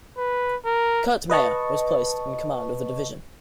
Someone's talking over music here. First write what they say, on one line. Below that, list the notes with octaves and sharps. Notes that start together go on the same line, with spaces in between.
Kurt Meyer was placed in command of the division.
B4
A#4
B4 D#5 A5 C#6